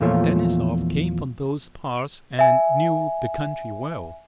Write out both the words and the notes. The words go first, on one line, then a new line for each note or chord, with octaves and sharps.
Denisov came from those parts and knew the country well.
E2 A#2 F3 A3 F4 C#5
E5 G#5